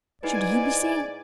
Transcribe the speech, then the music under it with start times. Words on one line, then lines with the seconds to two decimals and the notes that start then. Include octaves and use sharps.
Should he be seen?
0.23 G#2 D#4 E4 B4 D5 G#5